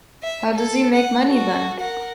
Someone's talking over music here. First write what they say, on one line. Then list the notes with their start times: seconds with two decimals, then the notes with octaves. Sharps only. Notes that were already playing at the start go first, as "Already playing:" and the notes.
How does he make money then?
0.23 E5
0.54 A4
0.95 F#5
1.26 F#4 A4
1.80 A#4 F#5